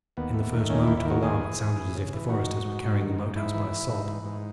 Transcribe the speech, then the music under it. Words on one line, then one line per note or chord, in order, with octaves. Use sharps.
In the first moment of alarm it sounded as if the foresters were carrying the Moat House by assault.
D#2 B3
A3
D#3
D#2 C#4
D#2 E4
E4
D#3 F#4
D#2 G#4
E3
E3
E3
C#3
E3
D#3 F#4
G#2
G#2
G#2
D#3
G#2
G#2 E4
E3
E3
G#2
E3
G#2